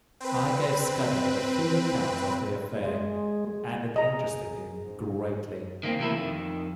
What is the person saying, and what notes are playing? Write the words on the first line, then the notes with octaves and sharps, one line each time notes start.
I gave Scudder a full account of the affair, and it interested him greatly.
C4 B4
G#3
G#4 D#5 A#5
G#2
D#3 A#3 C4
C3 E3 A3 A#3 E4
F2 D#3